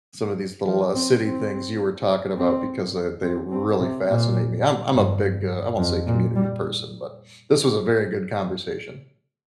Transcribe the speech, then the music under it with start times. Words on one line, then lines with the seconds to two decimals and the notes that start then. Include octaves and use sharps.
some of these little, uh, city things you were talking about because they they really fascinate me, I'm I'm a big, uh I won't say community person, but this was a very good conversation.
0.68 F3
0.95 C4
1.24 C4
2.37 C4
3.23 C4
3.52 C4
3.80 C3
4.09 A#2
4.93 G2
5.78 F2
6.07 A#2
6.36 G3